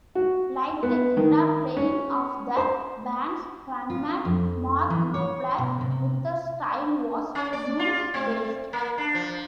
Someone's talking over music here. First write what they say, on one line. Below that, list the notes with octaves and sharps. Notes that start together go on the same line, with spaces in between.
Like the guitar playing of the band's frontman, Mark Knopfler, Withers's style was blues-based.
F#4
B3
D#3
C#4
C5
F4
F2
E3
C#5
B2
C3
C#4
D5
F4
C4
A#3
D4
F3